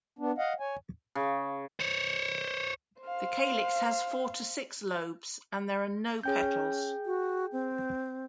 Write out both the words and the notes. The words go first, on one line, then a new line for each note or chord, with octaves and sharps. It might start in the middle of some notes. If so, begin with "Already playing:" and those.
The calyx has four to six lobes and there are no petals.
B3 D4
D#5 F5 F#5
C#5 G#5
C#3
C5 C#5
C5 F5
C#4 G#4 G5 G6
F#4
C4